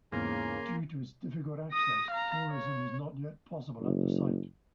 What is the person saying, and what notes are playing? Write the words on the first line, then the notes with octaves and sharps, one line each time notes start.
Due to its difficult access, tourism is not yet possible at the site.
E2 G#2 C#3 A#3 G#5 A#5 C6
D#6 A#6
F5 A#5
C#5
F#1